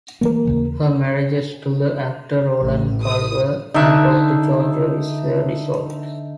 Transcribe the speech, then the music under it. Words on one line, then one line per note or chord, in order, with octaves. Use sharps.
Her marriages to the actor Roland Culver and Doctor John Janvrin were dissolved.
E3 G3 A3 A#3 A#4
D#2 C#3 E3
A1
D#6
D3 D#4 E5 F#6